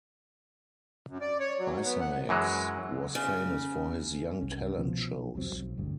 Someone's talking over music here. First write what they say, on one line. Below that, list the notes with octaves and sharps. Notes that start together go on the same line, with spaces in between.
Isaacs was famous for his "young talent" shows.
F#2
D5
C#5
F#3
B3
F#5
F#2 E3 F#3 G#3
C#3
C2 C#4
B2 F3
E1 C2 F#3 C4
B1
G1 D2 G2